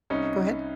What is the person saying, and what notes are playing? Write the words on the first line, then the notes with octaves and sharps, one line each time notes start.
Go ahead.
C2 C#4 D#4